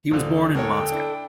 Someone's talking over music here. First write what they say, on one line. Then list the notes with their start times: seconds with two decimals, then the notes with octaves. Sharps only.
He was born in Moscow.
0.11 D#1 D3 F3
0.55 G#2 A4 A#4 C#5 G5
0.92 D4 E4